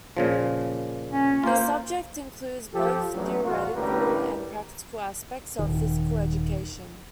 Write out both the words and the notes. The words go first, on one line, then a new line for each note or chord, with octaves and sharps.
This subject includes both theoretical and practical aspects of Physical Education.
A#2 C#3 F3
C#4
A#3 F4 C5
F3 G4 A4
A1 E2 F#3
F2 A#2 F4 F#4
A1 A2 D3 G3 A#4 B4
D#1 D#3